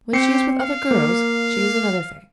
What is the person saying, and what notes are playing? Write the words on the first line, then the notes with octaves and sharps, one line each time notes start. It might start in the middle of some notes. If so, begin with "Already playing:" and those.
When she is with other girls she is another thing.
C4 G4 C7 C#7
F5
A#3